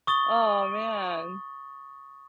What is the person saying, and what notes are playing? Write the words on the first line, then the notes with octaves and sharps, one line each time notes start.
Oh man.
C#6 D#6 A6 G7